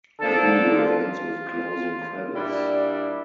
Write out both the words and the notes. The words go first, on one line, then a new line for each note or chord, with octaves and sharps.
The video ends with closing credits.
D3 F3 A#3 D4 A4
F4
A#2 G3 D4 E4